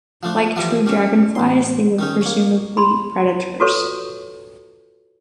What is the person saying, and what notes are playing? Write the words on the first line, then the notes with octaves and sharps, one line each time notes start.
Like true dragonflies, they were presumably predators.
F3 A3 D4
E3 F3 G3 E4
G3 C#4
A1 C6
D#3 C#4 D#4
A#3 C#5
B5 C6
F4 F#4 A4 B4 C#5 C#6